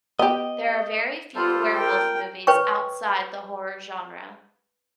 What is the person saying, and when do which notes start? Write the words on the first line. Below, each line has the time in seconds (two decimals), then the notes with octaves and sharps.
There are very few werewolf movies outside the horror genre.
0.19 B3 G4 D#5
1.36 G3 F4 A4 C5
1.76 A#4 G5
2.47 B4 C#5 G5 C#6